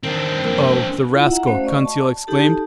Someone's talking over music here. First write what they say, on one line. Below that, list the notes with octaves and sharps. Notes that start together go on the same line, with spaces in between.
"Oh, the rascal!" Conseil exclaimed.
E2 B2 D#3 C4 D4
F3 A#3
E4 F4 F#5
E5 F#5 A#5
A3 C#4 F#4 C5 F5
D5 D#5 C#6
A5
D#4 G4 A4 A5